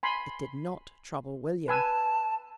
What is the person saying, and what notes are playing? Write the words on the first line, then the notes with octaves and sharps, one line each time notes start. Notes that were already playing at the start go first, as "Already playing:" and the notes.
It did not trouble William.
G#5 B5 C6
B4 G#5 A5 E6